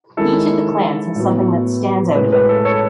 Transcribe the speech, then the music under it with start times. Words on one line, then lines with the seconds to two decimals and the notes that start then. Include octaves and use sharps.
Each of the clans has something that stands out about them.
0.17 D#3 G#3 C#4 E4 A4
1.16 A2 F#3 B3
2.15 A2 G#3 C#4 B4
2.32 B4
2.49 A4
2.65 A4 C#5